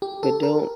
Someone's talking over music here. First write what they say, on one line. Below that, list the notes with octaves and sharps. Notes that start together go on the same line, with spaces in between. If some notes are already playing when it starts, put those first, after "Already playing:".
but don't
G4
A4
A#4